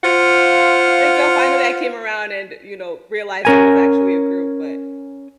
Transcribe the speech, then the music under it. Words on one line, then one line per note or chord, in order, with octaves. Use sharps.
Until finally, I came around and, you know, realized it was actually a group, but
F4 C5 F5 F#5
C#4 A#4 G#5